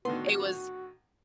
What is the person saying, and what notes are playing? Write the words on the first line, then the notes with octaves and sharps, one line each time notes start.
it was
A2 D3 D#3 B3 F#4 C6